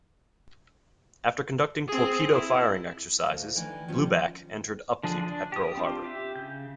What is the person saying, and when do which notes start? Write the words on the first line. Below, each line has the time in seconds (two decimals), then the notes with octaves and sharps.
After conducting torpedo firing exercises, "Blueback" entered upkeep at Pearl Harbor.
1.88 C4 G#4
2.32 E4
3.26 D2 A4 D#5 F5
3.55 D#3 E3 A3 D4
3.88 D#3 F3 G3 C#4 F4
5.03 D3 F3 D4 G#4
5.27 D4
5.52 G4 D#6
5.77 C4 D4 F4 G4
6.04 G4 E5
6.36 C#3 G6